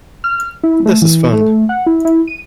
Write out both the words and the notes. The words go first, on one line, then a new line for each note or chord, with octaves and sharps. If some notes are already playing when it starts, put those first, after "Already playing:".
This is fun!
F6
E4
A3
E3
A3
F#5
E4
E4
D#7